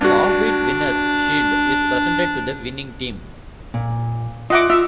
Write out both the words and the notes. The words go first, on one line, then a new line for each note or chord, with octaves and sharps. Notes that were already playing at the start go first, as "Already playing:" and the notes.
The Offbeat Winners Shield is presented to the winning team.
G2 D4 F#4
A#2
F4 D#5 E5 F#5 D6
F4 E5